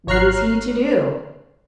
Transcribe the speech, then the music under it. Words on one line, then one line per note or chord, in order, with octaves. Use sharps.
What is he to do?
G#1 C#5 A#5 F6 F#6 C7